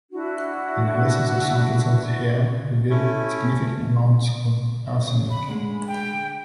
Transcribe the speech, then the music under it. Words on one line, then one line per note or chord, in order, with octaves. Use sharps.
Analysis of samples of his hair revealed significant amounts of arsenic.
D4 E4 F#4
A3 C#4 E4
C#3
B5
D3 G#3 A3 B5
G5